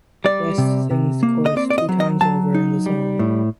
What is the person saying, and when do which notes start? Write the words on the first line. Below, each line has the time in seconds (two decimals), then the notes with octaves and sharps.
West sings the chorus two times over in the song.
0.25 G3 D5
0.58 C3
0.91 C3
1.23 A#3
1.46 D#5
1.56 C4 D5
1.70 D5
1.78 D#5
1.89 F#3
2.00 D#5
2.21 F#3 A5
2.55 D#4
2.86 G3
3.19 A2